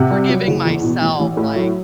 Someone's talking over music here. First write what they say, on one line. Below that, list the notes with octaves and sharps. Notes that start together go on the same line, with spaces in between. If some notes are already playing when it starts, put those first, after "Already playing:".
forgiving myself, like
Already playing: C3 F#5
G3
F#3
F#1
E2
B2
A1
A1
A2
F#3